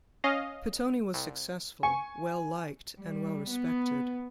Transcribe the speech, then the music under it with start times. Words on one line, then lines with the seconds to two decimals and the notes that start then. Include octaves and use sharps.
Pittoni was successful, well liked and well respected.
0.24 C#4 D#5 F5
1.14 C2
1.83 G#5 C#6
3.00 G3
3.52 B3